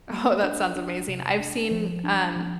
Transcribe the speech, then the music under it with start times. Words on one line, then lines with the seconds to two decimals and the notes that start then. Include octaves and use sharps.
Oh, that sounds amazing I've seen, um,
0.11 A#3
0.43 D4
0.76 D4
1.08 C3
1.40 D4
1.71 F3
2.04 D4
2.36 F3